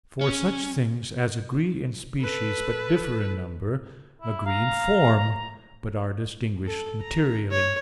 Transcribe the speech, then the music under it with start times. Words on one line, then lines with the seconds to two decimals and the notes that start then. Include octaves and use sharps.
For such things as agree in species but differ in number, agree in form, but are distinguished materially.
0.21 C#4
2.21 A4 B4
4.22 E4
4.46 F5 A#5
6.66 A4
7.01 A#5
7.51 C#5